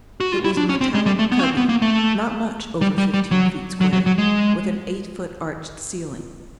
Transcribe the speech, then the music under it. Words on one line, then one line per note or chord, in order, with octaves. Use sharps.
It was a metallic cubby, not much over fifteen feet square, with an eight foot arched ceiling.
F#4
F4
E4
D4
C#4
C4
G#3
G3
A3
B3
C#4
C4
B3
A#3
A3
G3
G3
G3
F#3
F#3
F#3
F#3
G#3